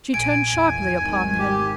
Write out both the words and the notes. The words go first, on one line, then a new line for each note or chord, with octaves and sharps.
She turned sharply upon him.
A#1 G#5 D7
E2
G#1 D#3
G4